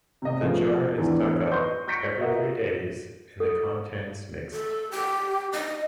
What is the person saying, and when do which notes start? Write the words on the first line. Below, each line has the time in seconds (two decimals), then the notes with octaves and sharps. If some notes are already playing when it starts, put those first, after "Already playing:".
The jar is dug up every three days and the contents mixed.
0.22 C3 D#5
0.41 C#3 F3 A3 B3 F4
0.98 E2 E3 D4
1.51 B4 D#5 C6 C#6 G6
1.87 C#6 G6 A#6 B6 C#7 D7
2.21 A#3 F4 F#4 B4 D#5 E5
3.40 A4
4.53 A4
4.92 G4
5.52 D#5